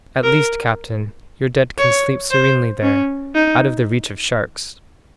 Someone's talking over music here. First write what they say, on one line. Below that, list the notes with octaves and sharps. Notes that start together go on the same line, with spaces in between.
"At least, captain, your dead can sleep serenely there, out of the reach of sharks!"
A#4
C#5
C5
C#4
D#4